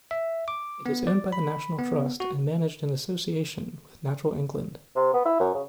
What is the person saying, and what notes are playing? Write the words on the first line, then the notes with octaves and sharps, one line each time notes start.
It is owned by the National Trust and managed in association with Natural England.
E5
D6
B3
D5
B5
B3
F#4
C3
B3
E4
F#2
C#3